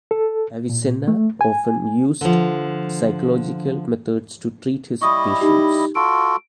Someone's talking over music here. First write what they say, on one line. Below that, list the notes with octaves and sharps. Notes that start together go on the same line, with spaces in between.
Avicenna often used psychological methods to treat his patients.
A4
A#2
A3
G#5
D3 F3
G3 E4 D#5 C#6 D#6
D#4 G4
F4 F#4 A4 D7